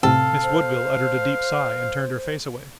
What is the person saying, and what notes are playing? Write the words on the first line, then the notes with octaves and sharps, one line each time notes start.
Miss Woodville uttered a deep sigh and turned her face away.
A2 C3 C4 A4 F5
C5